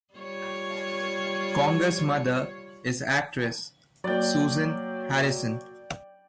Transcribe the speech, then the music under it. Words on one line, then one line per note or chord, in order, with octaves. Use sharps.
Conger's mother is actress Susan Harrison.
G3 F4 C#5
F#3 A#3 D5 G5